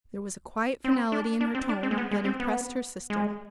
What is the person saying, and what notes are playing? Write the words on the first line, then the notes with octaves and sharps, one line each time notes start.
There was a quiet finality in her tone that impressed her sister.
C4
D4
D4
C4
D4
C4
G#3
B3
G#3
C4
B3
G#3